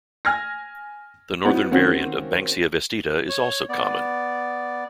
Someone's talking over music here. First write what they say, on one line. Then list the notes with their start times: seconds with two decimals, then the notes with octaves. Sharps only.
The northern variant of "Banksia vestita" is also common.
0.25 G#5 F6 G#6 A#6
1.45 F#3 B3 C4 D#4 E4 F#4
1.71 D#3 A#3 C4 C#4 F#4
3.29 C#5
3.69 B3 D5